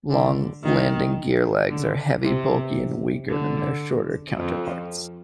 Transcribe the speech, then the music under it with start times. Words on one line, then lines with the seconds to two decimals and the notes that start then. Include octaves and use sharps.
Long landing gear legs are heavy, bulky, and weaker than their shorter counterparts.
0.10 D3
0.63 D#3
1.69 D3
2.23 C3
3.29 D3
4.36 F2 F3